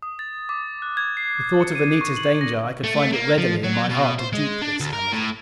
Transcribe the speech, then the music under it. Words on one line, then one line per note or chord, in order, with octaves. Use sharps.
With thought of Anita's danger I could find it readily in my heart to dupe this Amazon.
D#6
A6
D6
F#6
G#6
C7
C#7
D#7
C#6
F#7
A#6
A3
A3
A#3
F3
F#3
B2
C5
G#3
D4
D2
A#4
A2